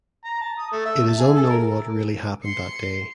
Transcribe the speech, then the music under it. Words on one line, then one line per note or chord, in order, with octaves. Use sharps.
It is unknown what really happened that day.
A#5
A5
D#6
A3
E5
A5
G#4
A4
A#4
C6 C#7